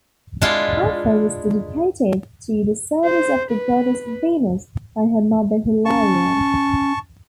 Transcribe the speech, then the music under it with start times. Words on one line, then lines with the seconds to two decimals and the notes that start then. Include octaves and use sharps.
Afra was dedicated to the service of the goddess, Venus, by her mother, Hilaria.
0.42 G#3 D4 E4 F4
3.05 C5
3.52 B4
5.85 C#4 A5 C#6